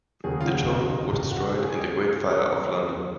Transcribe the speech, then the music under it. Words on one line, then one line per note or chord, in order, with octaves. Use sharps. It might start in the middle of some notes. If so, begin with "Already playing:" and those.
The tomb was destroyed in the Great Fire of London.
D#2 C#3 F#3 A3 G#4
F4
F#4
F4
D#4
F4
F#4
G4
G#4
G4